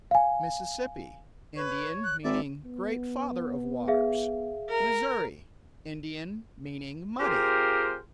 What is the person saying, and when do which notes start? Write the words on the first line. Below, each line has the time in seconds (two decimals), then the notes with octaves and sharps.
Mississippi--Indian; meaning "great father of waters." Missouri--Indian; meaning "muddy."
0.11 F5 G#5
1.56 B4 C#5
2.04 F#6
2.24 G#1 D5 E5
2.65 B3
3.88 G#4 E5 F5
4.69 A#4
7.20 C4 F4 G4 G#4 A#4 C5